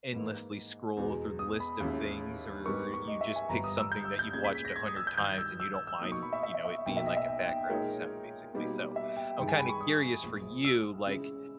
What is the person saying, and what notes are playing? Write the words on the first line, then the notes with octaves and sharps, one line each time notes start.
endlessly scroll through the list of things or you just pick something that you've watched a hundred times and you don't mind, you know, it being like a background sound basically. So, I'm kinda curious for you, like,
G#2 E3 A#3
E2 B2 G#3
D#6
B5
D#2 D#3 G#3 C#4 E4
G#2 G3 B3 G4 A#4 C#6
C#6
D#5
E5
G#5
G1 G2 G3 B3 A#5
D#6
E6
G6
E6
G6
A#2 G#3 C#4 G#4 G#6
B6
B6
A#6
G#6
D#6
E6
G6
G2 D#3 G3 G6
E6
E6
E6
E6
B2 A#3 D#4 D#6
C#6
B5
E5
E5
E5
E5
B1 B2 A#3 G5
E5
D#5
E5
G5
G5
A#2 G#3 D#4 A#4 C#5
B2 G3 A#3 D#4 G4
E5
G5
G2 D#3 G#3 D#4 G5
G#5
B5
C#6
D#6
A#1 A#2 G#3
E6
C#3 G#3 C#4 E4